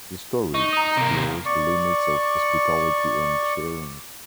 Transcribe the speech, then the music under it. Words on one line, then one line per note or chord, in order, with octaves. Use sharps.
The story explores the limits of hospitality and sharing.
D#4 C#6
A#5 D#6
C3 A#3
D5 C#6